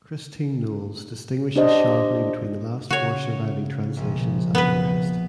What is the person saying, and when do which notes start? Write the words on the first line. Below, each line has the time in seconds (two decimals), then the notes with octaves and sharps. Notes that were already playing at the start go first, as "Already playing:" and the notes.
Christine Knowles distinguishes sharply between the last four surviving translations and the rest.
1.56 D4 G4 C5 D#5
2.90 C#3 C#4 F#4 C#5
3.97 A#1 B2 F3
4.55 B3 B4